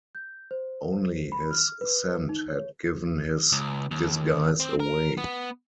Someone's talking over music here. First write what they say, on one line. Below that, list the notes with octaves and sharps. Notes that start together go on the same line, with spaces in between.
Only his scent had given his disguise away.
G6
C5
B5
F6
B4
D#4
C#5
C#2
D#2
C4
A#4
B3